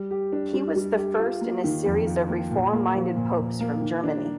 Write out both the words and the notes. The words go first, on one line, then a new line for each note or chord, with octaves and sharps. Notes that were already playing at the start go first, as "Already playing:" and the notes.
He was the first in a series of reform-minded popes from Germany.
Already playing: G3
G4
D4
G3
G3
G4
F4
A#3
D#3
F2
F4
A#3
A#2
A#3
F3
A#2
A#2
A#3
D#3
D4